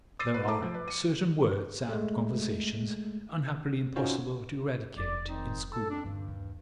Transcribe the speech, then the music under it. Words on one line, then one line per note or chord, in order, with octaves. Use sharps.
There are "certain" words and conversations unhappily impossible to eradicate in schools.
D6 E6 A6 C7 D#7
B4
A3 A5 A#5 D6
F3
B4
C#7 D#7
G#3 A3
C#4 D#4 F4 F#4 C5
F1 D5
D#3 C4 D#4
A4
F2 D4
D#1 G2 D3
D#2